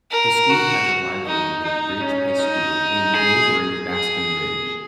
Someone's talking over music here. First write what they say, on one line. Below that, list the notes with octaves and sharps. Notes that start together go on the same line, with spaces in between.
The school has a rivalry with Ridge High School in neighboring Basking Ridge.
A#4
F#4
D#4
D#4
C#4
D#4
G#4
G#4